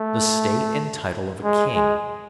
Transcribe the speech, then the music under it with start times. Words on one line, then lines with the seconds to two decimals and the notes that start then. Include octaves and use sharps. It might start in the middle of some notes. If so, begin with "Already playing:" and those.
The state and title of a king.
Already playing: A3
1.44 G#3
1.75 G#3